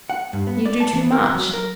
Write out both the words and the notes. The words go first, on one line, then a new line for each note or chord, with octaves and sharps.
You do too much.'
F#5
G2
B3
D5
A5
E3
A#4
F#3
A#4